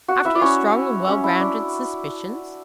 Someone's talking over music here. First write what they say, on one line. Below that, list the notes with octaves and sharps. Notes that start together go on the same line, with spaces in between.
"After your strong and well-grounded suspicions?"
F#4 F#5
E4 E5
D5
C#4 C#5
C#4
E4
D4